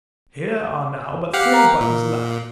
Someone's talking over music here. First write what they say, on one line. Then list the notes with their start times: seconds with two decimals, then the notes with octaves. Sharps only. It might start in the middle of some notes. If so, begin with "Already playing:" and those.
Here are now but three buttons left.
1.33 G4 F5 F#5
1.52 A#4
1.81 A#2